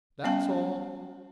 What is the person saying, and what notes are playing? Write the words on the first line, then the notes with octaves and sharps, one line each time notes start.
That's all.'
G3 B3 C#4 F5 G5 A5